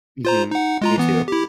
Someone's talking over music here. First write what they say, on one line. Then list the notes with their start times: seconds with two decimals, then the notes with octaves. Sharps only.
Mhm. Me too.
0.25 F4 C5 A#5
0.51 D#4 F#5
0.82 G#3 F4 A#5
0.98 E3 B3
1.28 E4 G4